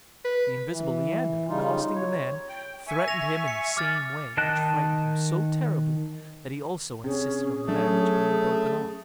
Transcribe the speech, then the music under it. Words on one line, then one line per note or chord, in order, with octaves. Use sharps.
But the invisible Leander accosting the man, threatened him in the same way, which frightened him so terribly, that he also insisted on the marriage being broken off.
B4
E3
C#3 G3 D#4 F4
C#5
G5
E5 G#5 C#6
A#6 F7
C#7
D6 F6 A6
D#3 D#5 G5 A5 F#6
C3 C#4 G#4
F#3 A3 C#4 D4